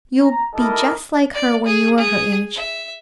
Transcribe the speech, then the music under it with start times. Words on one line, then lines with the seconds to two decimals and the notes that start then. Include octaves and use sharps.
You'll be just like her when you are her age.'
0.21 A#5
0.54 G3 D#4 E4 A4 A#4 D#5
1.34 D5
1.66 G#4
1.97 G#4
2.56 E5